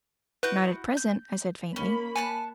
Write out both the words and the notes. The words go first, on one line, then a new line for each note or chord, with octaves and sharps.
"Not at present," I said faintly.
E4 F#4 B4 G6
G6
A#3 C#4 B5
C#5 G#5 A5 F#6